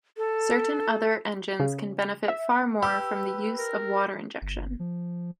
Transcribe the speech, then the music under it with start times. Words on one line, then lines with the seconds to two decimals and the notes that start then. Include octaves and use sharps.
Certain other engines can benefit far more from the use of water injection.
0.17 A4
1.60 C#3
2.28 E5
2.83 G4 B4 E6
3.59 A#4
4.42 G1
4.79 F3